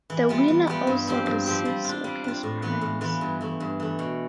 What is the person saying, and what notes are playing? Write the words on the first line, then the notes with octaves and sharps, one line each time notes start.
The winner also receives a cash prize.
E3
G3 B3 F4
E3
G3 B3 F4
G2
F3 C4 G4
G2
F3 C4 G4
G3
D4 F4
G3
D4 F4
A2
E3 B3 F4 B4
A2
E3 B3 F4 B4
G2
E3 A3
G2
E3 A3
B2